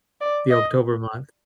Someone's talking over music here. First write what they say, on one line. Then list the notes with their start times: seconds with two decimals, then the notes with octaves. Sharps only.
the October month,
0.21 D5
0.50 D#5